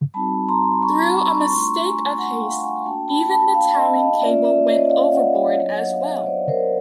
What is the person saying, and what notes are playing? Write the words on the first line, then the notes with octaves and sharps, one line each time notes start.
Through a mistake of haste, even the towing cable went overboard as well.
G3 C4 D#4 F#4 A5 B5
A#5 C6
B5 C#6
B5 C#6
C#6
A3 D4 F4 A#5 C6
G#5 A#5
F#5 G#5
F5 G5
F#5 G#5
A#3 D4 F#4 G5 A5
A5 B5
A5 B5
F5 G5
D#5 F5
D#5 F5
A#3 C#4 F4 D5 E5
D5 E5
C#5 D#5
D#5 F5
E5 F#5
C#5 D#5
F#3 B3 D4 F#4
F#5
F5
E5
D#5
C5 D5
A#4 C5